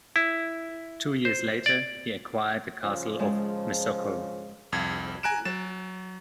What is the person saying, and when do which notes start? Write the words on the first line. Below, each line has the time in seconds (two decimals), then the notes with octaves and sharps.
Two years later he acquired the castle of Mesocco.
0.16 E4
1.25 C5
1.66 D5
2.83 C#3 F3
3.19 G#2 G#3
4.72 C2 F2 G#6
5.23 G#5 A#5 F#6 D7 E7
5.45 F#3 A6 E7